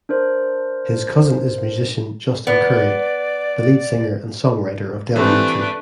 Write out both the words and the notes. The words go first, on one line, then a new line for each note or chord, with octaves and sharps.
His cousin is musician Justin Currie, the lead singer and songwriter of Del Amitri.
D4 A#4 C5
B3 D5
E3 A3 B3 C4 D4 G4 B4